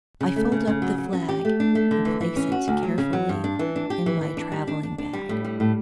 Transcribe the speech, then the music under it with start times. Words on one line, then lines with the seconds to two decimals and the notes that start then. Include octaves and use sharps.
I fold up the flag and place it carefully in my traveling-bag.
0.21 C#3
0.36 A3
0.52 C#3
0.67 C#3
0.82 F#3
0.98 F#3
1.13 C#4
1.29 G4
1.45 A3
1.60 D4
1.75 A3
1.91 D3
2.05 E3
2.21 E3
2.36 C#4
2.52 F#4
2.68 D2
2.83 F#3
2.98 C#3
3.13 F#3
3.29 G2
3.44 D4
3.59 E3
3.76 D4
3.90 G4
4.06 E3
4.21 E3
4.37 D4
4.52 G3
4.67 D4
4.83 D4
4.98 D4
5.13 G3
5.29 A2
5.44 G3
5.60 A2